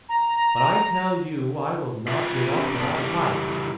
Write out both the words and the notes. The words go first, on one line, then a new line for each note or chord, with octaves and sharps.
But I tell you I will not give up without a fight.
A#5
F4 B4 D5 E5
C4 D4 G4
B3 C#4 A4 D5
C#3 E3 G3 G4